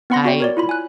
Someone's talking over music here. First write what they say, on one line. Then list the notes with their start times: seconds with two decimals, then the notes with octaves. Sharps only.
I, d
0.10 B3 C4 F#5 B5 C6 A#6
0.25 F#4 D5 G5
0.40 A#4 C#5 D5
0.57 E4 F4 B5
0.69 G#5 F#6